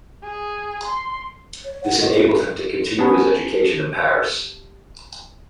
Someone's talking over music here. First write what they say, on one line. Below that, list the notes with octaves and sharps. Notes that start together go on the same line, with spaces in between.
This enabled him to continue his education in Paris.
G#4
C6
C#5
F#5
D#5
G#4
B3 C#4 G4 A5